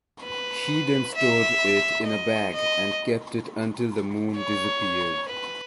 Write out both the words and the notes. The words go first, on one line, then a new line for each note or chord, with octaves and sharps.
She then stored it in a bag and kept it until the moon disappeared.
B4
E5
D#5
D#5
C#5
B4